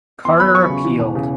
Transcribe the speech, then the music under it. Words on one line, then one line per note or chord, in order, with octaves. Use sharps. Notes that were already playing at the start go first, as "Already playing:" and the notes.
Carter appealed.
E2 C6
E2 B5
F#3 C#6
C#3
E3
E1
C#3